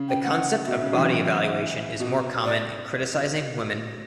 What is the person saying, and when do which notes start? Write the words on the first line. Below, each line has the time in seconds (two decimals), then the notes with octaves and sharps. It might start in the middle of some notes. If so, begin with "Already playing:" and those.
The concept of body evaluation is more common in criticizing women.
Already playing: C#3
0.09 G5
0.24 F#5
0.67 B2 E5
0.82 C#3
0.92 F#3
0.97 E3
2.00 B2
2.45 D5